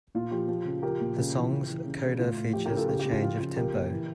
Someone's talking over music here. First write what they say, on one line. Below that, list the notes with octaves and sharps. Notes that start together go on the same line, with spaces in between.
The song's coda features a change of tempo.
A#2 F4
F3 G4
F3
C#3
F3 G4 A#4
A#2
C#3
E3
C#3
E3
C#3
C#3
A2 F4
A2
F3 G4
C#3 G4 A#4
F4 A4
C#3 G4
G4
C#3
F4
F3 F4
C#3 F4
F3 G4 A#4
A#2
E3